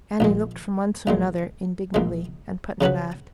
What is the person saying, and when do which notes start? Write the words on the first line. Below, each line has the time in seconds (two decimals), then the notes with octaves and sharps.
Annie looked from one to another indignantly, and Putney laughed.
0.20 A#1 A#2 G#3
1.07 A#1 A#2 G#3
1.94 A#1 A#2 G#3
2.81 C#3 F#3 C#4 F#4 B4